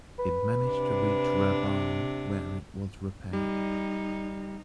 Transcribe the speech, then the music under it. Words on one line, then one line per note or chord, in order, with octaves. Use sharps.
It managed to reach Rabaul, where it was repaired.
B4
C3 D4
G3 D#4